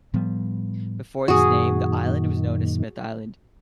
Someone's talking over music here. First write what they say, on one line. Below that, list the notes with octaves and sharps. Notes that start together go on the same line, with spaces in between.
Before this name, the island was known as Smith Island.
A2 F3 G3 B3
F#2 A#2 D#3 F#4 G#4